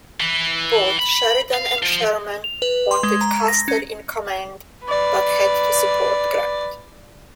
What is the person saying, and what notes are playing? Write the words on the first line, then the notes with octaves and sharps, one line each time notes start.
Both Sheridan and Sherman wanted Custer in command but had to support Grant.
E3
B5
F5
F3
F7
B4
C6
G#3
A#5
A#6
C#4
B4 D5